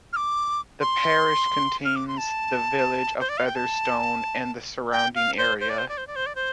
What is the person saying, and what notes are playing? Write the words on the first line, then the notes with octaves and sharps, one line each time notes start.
The parish contains the village of Featherstone and the surrounding area.
F6
D6
C6
F6
D6
C6
A5
C5
D5
F5
G5
A5
G5
F5
C5
C5
D5
C5
D5
C5
D5
C5
D5
C5